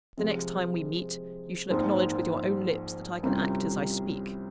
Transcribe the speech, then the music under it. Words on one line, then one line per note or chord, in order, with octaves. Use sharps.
The next time we meet, you shall acknowledge with your own lips that I can act as I speak.
C3 F3 G#3
A#1 G#2 F3 C4
C2 C3 G3 C#4 F4